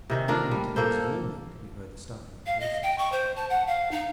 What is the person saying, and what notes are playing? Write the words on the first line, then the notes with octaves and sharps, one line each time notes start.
Plainly to the ears of all men could be heard the stamping of the horses.
C3 D#3 C#4
A#3 D4 F4 A#4
G3
A#3 A4 C5
F5
D#5
G5
C#6
C5
A5
F#5
F5
D#4